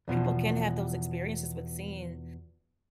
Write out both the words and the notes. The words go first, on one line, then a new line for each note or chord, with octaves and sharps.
people can have those experiences with seeing
E2 B2 F3